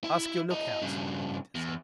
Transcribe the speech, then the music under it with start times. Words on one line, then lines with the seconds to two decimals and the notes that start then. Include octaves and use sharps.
"Ask your lookouts," Anita said.
0.04 E4
0.51 E4 D#5
0.82 G2 C#3
1.55 E2